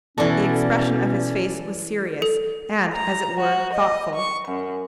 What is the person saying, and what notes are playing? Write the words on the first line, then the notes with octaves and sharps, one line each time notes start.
The expression of his face was serious and, as it were, thoughtful.
B2 E3 C#4 F#4 A4 D5
A4
A#5
F#4
D#5
C#6
F#2